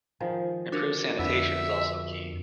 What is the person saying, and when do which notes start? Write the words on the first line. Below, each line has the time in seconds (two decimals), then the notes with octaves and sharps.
Improved sanitation is also key.
0.20 D#3 F3 G#3
0.72 D4 F#4 A#4
1.19 F2 D3 B3 E5